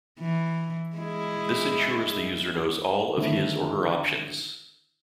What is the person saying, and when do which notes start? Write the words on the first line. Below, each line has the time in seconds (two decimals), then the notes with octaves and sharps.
This ensures the user knows all of his or her options.
0.21 E3
0.97 G#3 E4 G#4
3.17 D3 D#3 A3 C4 E4